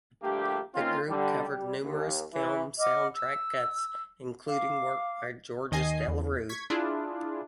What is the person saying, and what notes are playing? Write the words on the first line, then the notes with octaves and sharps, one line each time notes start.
The group covered numerous film soundtrack cuts, including work by Georges Delerue.
A#1 G2 D3 A3 A#3 G4
A#3 C4 C#4 D#4 F4
D3 G3
G3
D#2
E3
D#5 F#5 D6 F6
E6
F5 D6
D#2 D#3 D#5 G#5 C7
E2
C#6 G#6 B6
D4 E4 F4 G#4